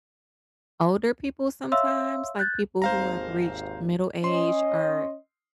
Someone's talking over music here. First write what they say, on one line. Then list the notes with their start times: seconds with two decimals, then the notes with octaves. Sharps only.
older people sometimes, like people who have reached middle age or,
1.72 C#5 E5 F5 C6 E6
2.39 F#6 G6 A6
2.82 G#1 D#2 C5 F5 A#5
4.24 C#4 D#5 C6